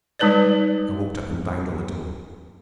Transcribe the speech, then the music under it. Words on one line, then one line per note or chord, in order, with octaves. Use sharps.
I walked up and banged on the door.
G3 G#3 D#4 B4 C#5 D5